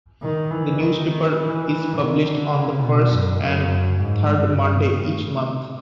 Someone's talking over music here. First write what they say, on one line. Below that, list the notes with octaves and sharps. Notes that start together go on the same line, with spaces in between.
The newspaper is published on the first and third Monday each month.
D#3
E3
D#3
E3
D#3
D3
C#3
B2
F#2
F#2
G#2
G2
G2
A2